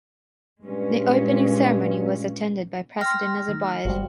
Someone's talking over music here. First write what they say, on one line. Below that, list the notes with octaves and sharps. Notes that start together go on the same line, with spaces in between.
The opening ceremony was attended by President Nazarbayev.
G2 A#2 G#3 C#4
G5 C6 F6 A#6
D#3 A3
G1 G3 F#4 C5